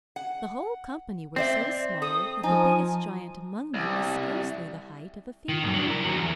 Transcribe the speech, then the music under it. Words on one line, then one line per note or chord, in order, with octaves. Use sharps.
The whole company were so small, that the biggest giant among them was scarcely the height of a finger.
F#5
C4 C5 D5 E5
A4 D#6
F3 D#4 G#5
C2
D#3
B1 F#2
F#3 D4
E4 A#4
D#2 F#3
E2